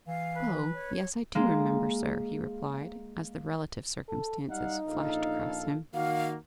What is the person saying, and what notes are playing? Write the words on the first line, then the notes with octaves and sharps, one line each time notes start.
"Oh yes, I do remember, sir," he replied, as the relative circumstances flashed across him.
E3 F5
B4
C#5
G#3 A#3
A4
G3 D#4 F5 F#5
A#1 A4 F5
D#3 A#3 F#4 F5